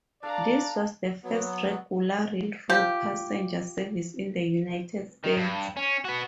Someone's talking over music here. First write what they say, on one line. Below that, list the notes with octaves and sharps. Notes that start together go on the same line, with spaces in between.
This was the first regular railroad passenger service in the United States.
D4 A4 D5 F5 A#5
F#3 B3
F3 G4
D#3
G2
C#4
B3 F#4